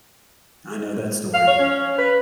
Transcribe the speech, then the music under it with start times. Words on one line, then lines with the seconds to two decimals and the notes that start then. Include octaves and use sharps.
I know that story.
1.34 F5
1.47 C#5
1.59 C#4
1.98 B4